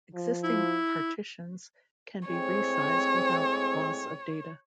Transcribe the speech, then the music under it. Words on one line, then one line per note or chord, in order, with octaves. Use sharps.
Existing partitions can be resized without loss of data.
F3
E4
A2 G#3 C4 C#5